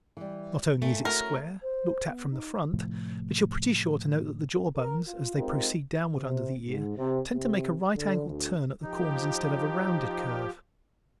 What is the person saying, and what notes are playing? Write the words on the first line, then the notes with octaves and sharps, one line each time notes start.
Not only is it square, looked at from the front, but you are pretty sure to note that the jaw bones, as they proceed downward under the ear, tend to make a right-angled turn at the corners instead of a rounded curve.
E3 G3
A#2 A3
A3 C#4 E4 F#4 A#4
C5
B3
D#4
A2 C3 F3 A3
A#4
F4
G#3 C4 D#4 F4 G4 A#4
C3
G#2
C3
C3
D3
D2
F3 D#4 G4